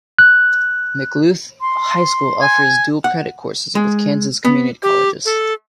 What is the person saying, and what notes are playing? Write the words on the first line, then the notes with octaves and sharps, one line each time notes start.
McLouth High School offers dual credit courses with Kansas community colleges.
F#6
C6
G#5
F#5
G#3
B3
G4
A4